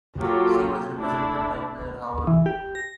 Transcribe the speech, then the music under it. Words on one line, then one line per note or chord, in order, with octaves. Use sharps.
She was represented by Blair Howard.
F#3 A#3 F4 G4 A4
A3 D4 E4
E3
G4
A#6